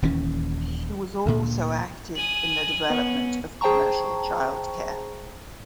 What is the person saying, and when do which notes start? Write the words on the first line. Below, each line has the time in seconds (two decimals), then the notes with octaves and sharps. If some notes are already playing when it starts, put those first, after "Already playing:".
She was also active in the development of commercial childcare.
0.02 D#1 D#2 E3 C#4
1.26 D2 A#2
2.16 G#5 D#6 F#7
2.90 B3 C#4
3.61 G#4 C5 G5 A5 A#5 C#6